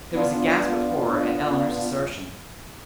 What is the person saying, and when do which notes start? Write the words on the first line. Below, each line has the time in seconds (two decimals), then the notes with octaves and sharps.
There was a gasp of horror at Eleanor's assertion.
0.12 B3 D4 F4